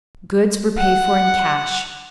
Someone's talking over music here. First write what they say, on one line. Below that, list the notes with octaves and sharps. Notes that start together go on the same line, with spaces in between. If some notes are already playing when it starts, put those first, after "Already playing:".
Goods were paid for in cash.
F#5